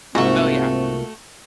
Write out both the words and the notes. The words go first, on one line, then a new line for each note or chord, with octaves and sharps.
Oh, yeah.
C2 G#2 A3 A#3 C4 F4 F#4